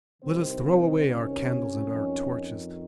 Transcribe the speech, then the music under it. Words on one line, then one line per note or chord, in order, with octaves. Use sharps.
Let us throw away our candles and our torches.
C2 C3 D#3 C4 C5
C4 C5
C#4 C#5
F2 D#3